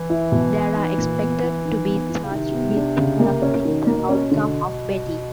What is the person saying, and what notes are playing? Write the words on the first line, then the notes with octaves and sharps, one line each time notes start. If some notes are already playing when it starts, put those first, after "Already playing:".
They are expected to be charged with corrupting the outcome of betting.
Already playing: E3
E4
B2
B3
D#4
A#2
B3
E4
D#3
B3
E4
C#3
C3 D#3
B3
D4
C#3
A#3
C#4
C3
B2 D#3
A#3
B2
C#4
B2 D3